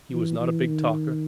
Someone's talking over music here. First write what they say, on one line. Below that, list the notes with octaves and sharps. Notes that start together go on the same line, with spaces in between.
He was not a big talker.
E3
E3
D#3